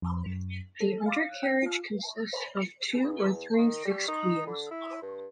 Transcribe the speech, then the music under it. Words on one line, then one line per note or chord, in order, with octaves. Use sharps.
The undercarriage consists of two or three fixed wheels.
F2
F#2
A4
F5
G5
F4
E2
D#3
G3
D#4
D3
E4
G2